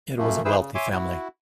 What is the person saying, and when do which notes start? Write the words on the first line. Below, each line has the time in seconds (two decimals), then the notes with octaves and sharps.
It was a wealthy family.
0.18 F#2 A3 A#3
0.45 E3 E4 G#4 B4 C5 E6
0.59 C#3
0.75 C#5 E5 G#5 C6 D6
0.92 E4 F#4